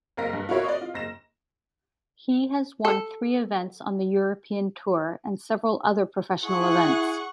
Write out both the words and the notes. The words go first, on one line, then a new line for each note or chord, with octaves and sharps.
He has won three events on the European Tour, and several other professional events.
F#1 A#4 F5 A#6 B6
G2
F4 F#4 A#4 C#5 E5 B5
D5 D#5
F4
F#1 A#6 E7
A4
E4 G#4 F#5 C#6